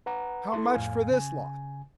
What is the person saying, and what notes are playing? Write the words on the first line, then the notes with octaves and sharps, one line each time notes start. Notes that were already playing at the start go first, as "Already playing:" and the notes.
How much for this lot?
B4 F#5 A#5
E4 A4 C6
F2 A2 F5 G#5
C#3 G#5